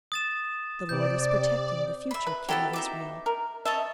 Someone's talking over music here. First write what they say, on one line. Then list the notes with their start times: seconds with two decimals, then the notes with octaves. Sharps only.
The Lord was protecting the future king of Israel.
0.12 D#6 A6 E7
0.89 C3 D5 G6
2.11 E5 B5
2.27 B4
2.49 F#3 B3 E4 G4 A4 B4
2.73 D#4 E5 D6
3.26 A#4
3.65 C#5 D#5 E5 A5